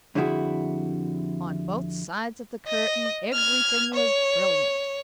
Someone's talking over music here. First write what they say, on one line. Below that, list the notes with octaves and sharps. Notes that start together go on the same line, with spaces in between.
On both sides of the curtain everything was brilliant.
F2 D3 G3 E4 F#4 G#4
D#5
F6 G#6
C#5